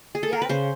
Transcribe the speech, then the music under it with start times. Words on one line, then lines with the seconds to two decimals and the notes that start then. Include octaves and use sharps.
Yeah, uh
0.15 G#4
0.23 A4
0.33 A#4
0.42 B4
0.49 C#3 C5